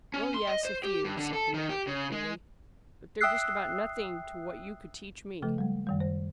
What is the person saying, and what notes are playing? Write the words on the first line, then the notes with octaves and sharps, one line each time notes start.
"Well, yes, a few," said the American coolly; "but they're just about nothing to what you could teach me."
C#4
C6
D#5
C5
G4
G2
D3
A4
D#3
G4
C#3
G#3
E5 G5 D#6 E6 F#6 C7
C#3 F3 A3 A4
G3 G#3
F#2 D#3 G3
C5